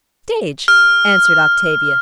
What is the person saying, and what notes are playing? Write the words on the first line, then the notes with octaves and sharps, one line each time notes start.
"Stage," answered Octavia.
F6